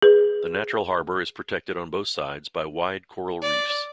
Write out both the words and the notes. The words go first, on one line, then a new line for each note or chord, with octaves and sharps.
The natural harbour is protected on both sides by wide coral reefs.
G#4 B4
D5